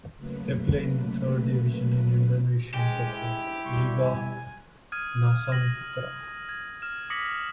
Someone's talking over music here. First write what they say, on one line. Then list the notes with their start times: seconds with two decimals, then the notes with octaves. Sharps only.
They play in the third division in Indonesian football, Liga Nusantara.
0.17 C#3 F#3 A3 A#3 B4
2.74 G#3 G4
3.08 E4
3.64 B2 G3 C6 C#6
4.01 G#5
4.92 D#6 F6 G#6 D#7
5.52 A#6 F#7
6.49 G#6
6.82 F6 E7
7.10 D6 D#6 A#6 B6 C#7 F#7